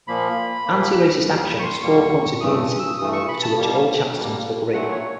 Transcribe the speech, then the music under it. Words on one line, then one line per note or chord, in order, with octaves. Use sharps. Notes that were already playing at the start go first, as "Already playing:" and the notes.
Anti-Racist Action has four points of unity to which all chapters must agree.
A#2 F3 A#3 B5
A#2 F3 A#3
E2 B2 G3 A#3
B5
C#6
C6
E2 B2 G3 A#3 C#6
G2 E3 A3 D#6
D#6
E6
G2 E3 A3 D#6
C#6
B5
A5
B2 G3 A#3
B2 G3 A#3
A#2 F#3 A3 F#5
C#5